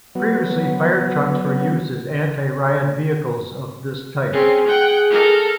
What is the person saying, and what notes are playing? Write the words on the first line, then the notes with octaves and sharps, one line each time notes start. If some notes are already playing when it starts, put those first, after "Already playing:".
Previously fire trucks were used as anti-riot vehicles of this type.
F#3 B3
C4 C#4 G#4
F#5 G5
A4 A#4